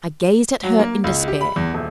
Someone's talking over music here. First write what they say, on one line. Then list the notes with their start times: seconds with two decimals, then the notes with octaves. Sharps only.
I gazed at her in despair.
0.63 F#3
0.79 A#3
1.04 C#2
1.28 G4
1.41 B5
1.56 E2
1.74 D#1